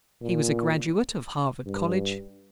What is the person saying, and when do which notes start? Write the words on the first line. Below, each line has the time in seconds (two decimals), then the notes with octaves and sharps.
He was a graduate of Harvard college.
0.22 A#2
1.67 G2